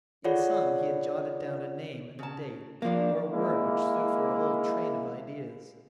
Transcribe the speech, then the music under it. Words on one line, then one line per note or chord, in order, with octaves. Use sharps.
In some he had jotted down a name and a date, or a word which stood for a whole train of ideas.
F4 G#4 A4 C#5 D5 F#5
C#3 A5
F3 A#3 D4 F5
G#3 A#3 E4